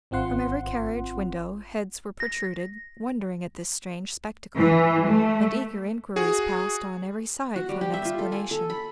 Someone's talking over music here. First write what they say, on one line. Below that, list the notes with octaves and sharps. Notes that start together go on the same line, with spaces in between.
From every carriage window heads were protruded, wondering at this strange spectacle; and eager inquiries passed on every side for an explanation.
G#1 C4 F4 F#5 C6
A#6
E3
A3
F#4 G#4
F#4
G3
G4
E5
F4
A4
G#5
A4
B5